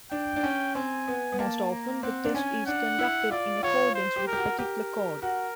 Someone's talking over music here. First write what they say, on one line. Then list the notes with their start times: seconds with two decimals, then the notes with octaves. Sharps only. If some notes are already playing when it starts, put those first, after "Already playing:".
Most often, the test is conducted in accordance with a particular code.
0.11 D4 G5
0.36 D4
0.43 C#4
0.75 C4 G#5
1.08 B3
1.32 B3
1.39 A#3 A5
1.71 A#5
2.03 C4 F#5
2.24 D4
2.35 C#4 G#5
2.66 D4 F#5
2.98 E4
3.31 F4 D5
3.63 F4 C#5
3.95 C5
4.16 G4
4.27 A#4
4.33 G4
4.38 F#4
4.59 G4 A#4
5.22 F#4 A#4